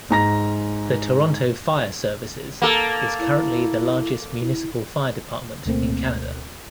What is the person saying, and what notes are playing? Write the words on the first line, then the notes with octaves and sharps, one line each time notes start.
The Toronto Fire Services is currently the largest municipal fire department in Canada.
G#2 A#5 A#6
A#3 A4
E4
E4
D2 B2 A3 A#3 C4